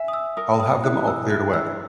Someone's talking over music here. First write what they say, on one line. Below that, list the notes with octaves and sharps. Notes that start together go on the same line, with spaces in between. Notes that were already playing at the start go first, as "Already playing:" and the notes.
I'll have them all cleared away.
Already playing: E5 G#5
D#6
E6
A#4 D#6
D#6
E4 F#6
E6
E4 F#6
E6